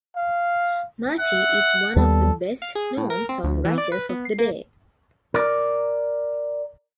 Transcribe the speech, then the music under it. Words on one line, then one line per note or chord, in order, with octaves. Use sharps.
Marty is one of the best known songwriters of the day.
F5
E5 F#5
D#2 G3 B3 A4
F5
G#4
A2
A#4
C4
D2
E3
D5
B4
B3
C7
A#3
A#4 D5